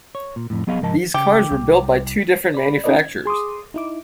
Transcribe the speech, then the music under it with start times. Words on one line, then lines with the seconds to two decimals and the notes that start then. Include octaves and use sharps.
These cars were built by two different manufacturers.
0.15 C#5
0.36 A#2
0.50 F2 A2
0.67 F#3 B3 G#4 D#5 F5
0.82 G#2 F3 A#4 D#5 A5
1.14 C#3 G4
1.51 C2
2.54 D5 B5
2.84 C#4 D#4 A4 B4 D5 D#5
2.97 G#6
3.25 G#4 C6 D6 D#6
3.74 D#4 E4 D6